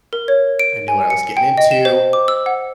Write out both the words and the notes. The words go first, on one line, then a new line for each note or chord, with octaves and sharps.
I knew what I was getting into.
A#4
C#5
D7
G#5
C#7
G5
D#5
E7
C5
D6
E6
F#5